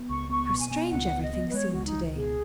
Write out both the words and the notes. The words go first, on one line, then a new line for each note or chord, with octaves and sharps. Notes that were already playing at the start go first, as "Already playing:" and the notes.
How strange everything seemed to-day.
Already playing: B3
C#2 C#6
B3 C#6
B2
G#5
B3
C#2 F#5
B3
D#5
B3
B4
G#3 C#5
C#2 F#4
D#4
C#2
B2 G#4